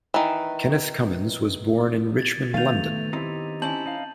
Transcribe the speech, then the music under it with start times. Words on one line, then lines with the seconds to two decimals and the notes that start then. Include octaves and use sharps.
Kenneth Cummins was born in Richmond, London.
0.14 D#3 E3
2.18 G#6 A6
2.54 D#3 A3 B3 F5 G6 A6 D#7 F7
3.13 C4 D#4 E4 G4
3.62 C4 C#4 E4 A5 G6 F#7
3.86 D#4 F5